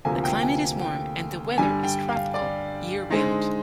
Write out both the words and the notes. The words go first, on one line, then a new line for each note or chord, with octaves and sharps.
The climate is warm and the weather is tropical year round.
D2 C3 F3 A#3 G#5
G5
G#5
G5
G2 D3 G3 G#5
G5
F5
D5
D3 G#3 D#4 C5